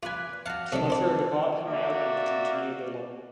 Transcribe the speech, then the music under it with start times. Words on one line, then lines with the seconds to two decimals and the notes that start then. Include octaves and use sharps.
Clifford bought him out and continued alone.
0.03 F4 B4 D5 G#5
0.46 F#4 F5 F#5 A5
0.73 C3 F#3 D4 A4
0.90 C5 D5
1.67 A#3 F#4 D5 E5